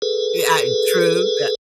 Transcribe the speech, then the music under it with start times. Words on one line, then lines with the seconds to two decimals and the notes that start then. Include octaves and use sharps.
Yeah, I true, the
0.02 G#4 A4 B4